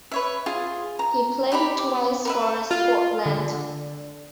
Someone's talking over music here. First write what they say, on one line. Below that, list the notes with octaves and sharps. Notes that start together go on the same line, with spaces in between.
He played twice for Scotland.
B4 C#5 E5
F4 G#4
A#5
D#4 G4 A#5 B5
D6
A#4 B4 E5
F4
D3